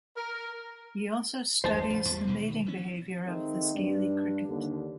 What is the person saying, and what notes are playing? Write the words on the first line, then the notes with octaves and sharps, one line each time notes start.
He also studies the mating behaviour of the scaly cricket.
A#4
G1 E2 D3 C5 A5
A1
E2 G3
B2 D#3
E3 C#4
D#3 G#3 A3 C4 D#4
G2 D4
D#2 D3